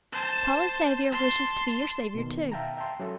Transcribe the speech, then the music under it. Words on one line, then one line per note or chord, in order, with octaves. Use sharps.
Paula's Saviour wishes to be your Saviour too.
C5 A5
A5 C6
B2 D#3
E5 F5 G5 A5 A#5
E5 G5 A5 C6
F#3 C#4 F#4 A4